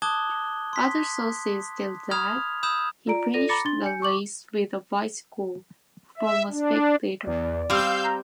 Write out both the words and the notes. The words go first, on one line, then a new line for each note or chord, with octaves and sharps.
Other sources tell that he finished the race with a bicycle from a spectator.
A5 D6 D#6 F#6 G#6 G7
C6 B6
B5 D#6 F6 G#6 F7
B5 D#6 E6 G6 E7
F4 D5 A#5 D7
F4 A4 D5 A#6 D#7 F7
A#5 B5 D6 A6 A#6 C#7
D4 C6 A6 G7
G#5 G6 C#7
C#6 D6 F#7
E5
D4
E2 D5
G3 C4 F5 E6 G6
A#5